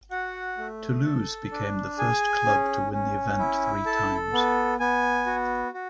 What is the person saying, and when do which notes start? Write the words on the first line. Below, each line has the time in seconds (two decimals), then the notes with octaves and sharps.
Toulouse became the first club to win the event three times.
0.11 F#4 F#5
0.58 A3
1.05 A4
1.51 D4
1.98 G#4 G#5
2.45 C#4
2.93 C#4
3.39 E4
3.86 A4 A5
4.33 B3
4.80 B3 G#5
5.26 F#4
5.74 F#4